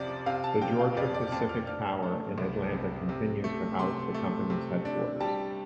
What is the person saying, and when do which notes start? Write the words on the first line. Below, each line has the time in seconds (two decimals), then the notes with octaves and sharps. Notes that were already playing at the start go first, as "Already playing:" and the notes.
The Georgia-Pacific Tower in Atlanta continues to house the company's headquarters.
Already playing: F2 C3 F3 D5
0.26 C3 F5
0.44 A5
0.61 C3 G5
0.79 F5
0.97 F2 D5
1.14 D5
1.32 F2 A5
1.49 F6
1.67 D4 F6
2.03 A3
2.38 C2
2.74 C3
3.09 C3
3.44 A3
3.79 C3 C6
4.14 A3
4.50 C3
4.85 D4
5.20 G3 A5